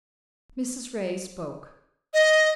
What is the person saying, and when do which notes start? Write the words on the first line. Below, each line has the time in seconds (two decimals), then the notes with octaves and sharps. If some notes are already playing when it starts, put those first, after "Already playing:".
Mrs. Ray spoke.
2.14 D#5